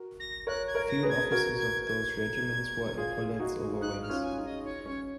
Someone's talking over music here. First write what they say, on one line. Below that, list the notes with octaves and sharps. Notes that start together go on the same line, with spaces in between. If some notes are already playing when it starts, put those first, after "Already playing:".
Field officers of those regiments wore epaulettes over wings.
Already playing: F#4 A#4
A#6
A#4 C#5 F#6
G#6
A#4 C#5
A#6
G#4 B4
G#6
F#4 A#4 G#6
G#6
G#6
F4 G#4
D#4 F#4
D#4 F#6
F6
C#4 F4
G#5
D#4
D#5
C#5
C#4 C#5